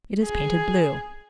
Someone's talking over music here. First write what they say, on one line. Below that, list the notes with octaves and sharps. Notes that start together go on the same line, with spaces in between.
It is painted blue.
G#4